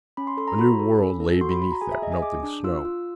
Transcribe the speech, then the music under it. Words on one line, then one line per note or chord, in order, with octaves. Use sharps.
A new world lay beneath that melting snow.
C#4 B5
C6
A4 C6
A#5
F#4 B5
A4
C#4
A4
F#4 C6
B5
F#4 B5
A#5
G#4 G#5
E5
G#4 D#5
G#5
G#4 D6
D4
F4 E6
F4